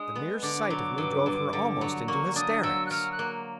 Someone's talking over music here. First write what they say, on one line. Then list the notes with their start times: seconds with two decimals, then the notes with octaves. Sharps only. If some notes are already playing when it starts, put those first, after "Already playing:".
The mere sight of me drove her almost into hysterics.
Already playing: G#3 D4 D#6
0.15 B3
0.43 D3 D6
0.70 F#3
0.98 G2
1.26 G2
1.53 D3
1.81 F#3
2.08 A#3 C#6
2.36 D4 D#6
2.63 F#3 E6
2.86 F#6
2.91 F#3 F6
3.12 F#6
3.19 A#3